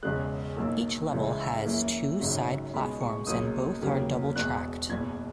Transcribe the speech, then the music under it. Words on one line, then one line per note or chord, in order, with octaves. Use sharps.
Each level has two side platforms and both are double tracked.
E1 E2 C#3 G#3 F#6
B1 B2 A#3 E6
C#2 C#3 E3 G#3
E6
F#2 E3 A#3
G#1 F#2 C#3 F#3
C#2 B2 G#3 B5
C#6
C#2 B2 F#3 A#3 D#6
E1 D#2 C#3 F#3 A#3
E1 E2 B2 F#6
F#1 E2 B2 G#6